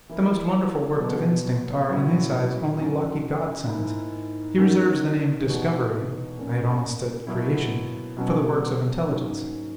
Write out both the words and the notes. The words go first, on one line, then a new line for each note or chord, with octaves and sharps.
The most wonderful works of instinct are, in his eyes, only lucky GOD-SENDS; he reserves the name DISCOVERY--I had almost said creation--for the works of intelligence.
E3 A#3 E4
B2 F#3 B3
A#2 F#3 C#4 E4
F#2 C#3 F#3
G#2 D#3 A#3 E4
D#3 A#3 C#4 F#4
E2 B2 G#3 D#4 F#4
A#2 A#3 C#4
B2 F#3 A#3 E4
B2 F#3 C#4
G#2 F#3 A#3 C#4